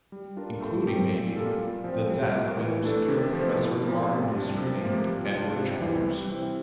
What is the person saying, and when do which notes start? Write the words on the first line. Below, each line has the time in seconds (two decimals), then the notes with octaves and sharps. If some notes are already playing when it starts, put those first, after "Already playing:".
Including, maybe, the death of an obscure professor of Modern History named Edward Chalmers.
0.12 G3
0.37 D4 F4 A#4
0.61 A3
0.86 C4 G4 A#4
1.11 A#2
1.36 G3 A#3 F4 A4
1.59 A#2
1.84 F3 C4
2.10 G3
2.34 A#3 F4
2.59 E3
2.84 A3 D4 A4
3.09 C3
3.33 F3 A3 C4
3.57 A2
3.83 F3 A#3
4.08 C3
4.32 G3 D4
4.57 C3
4.81 F3 A#3
5.07 G3
5.31 D4 F4
5.56 C3
5.81 E3 G3 C4 G4
6.05 G3
6.30 C4 E4